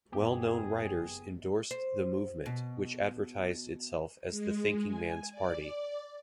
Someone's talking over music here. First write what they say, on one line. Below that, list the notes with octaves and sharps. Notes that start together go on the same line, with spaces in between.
Well-known writers endorsed the movement, which advertised itself as the thinking man's party.
F#1 B3 G4 G#4
C5
B2
G#3
G#5
D5